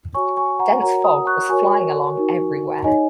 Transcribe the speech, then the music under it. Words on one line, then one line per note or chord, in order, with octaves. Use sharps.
Dense fog was flying along everywhere.
F#4 C#5 G#5 C#6
G#5 C#6
F#5 A#5
F#4 A#4 C#5 F#5 A#5
A#5 D#6
C#6 F#6
F#4 A#4 C#5 G#5 C#6
D#4 F#4 A#4
D#4 G#4 C#5 D#5 G#5